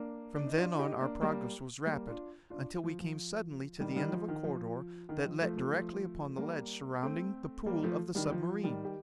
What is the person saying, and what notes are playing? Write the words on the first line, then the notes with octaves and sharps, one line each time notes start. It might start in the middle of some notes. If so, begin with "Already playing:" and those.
From then on our progress was rapid until we came suddenly to the end of a corridor that let directly upon the ledge surrounding the pool of the submarine.
Already playing: A#3 D4
D4
D#4
D4 F4
D#4 G4
A#3 D4
G3 A#3
G3 A#3
D4 F4
D4 F4
F3
F3
D#3 G3
D#3 G3
F3
D#3
F3
D#3
F3
F3 A3
F3 A3
F3 A3
G3 A#3
A3 C4
G3 A#3
F3 A3
D#3 G3
F3
D#3 G3
G4